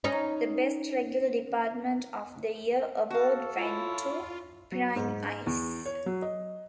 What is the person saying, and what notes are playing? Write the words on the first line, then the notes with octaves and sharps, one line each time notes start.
The Best Regular Department of the Year award went to Prying Eyes.
C#4 D#4
F#4 A4 F5
E4 F4 C#5
F#3
G#2
E2
C#5
F#3
D#5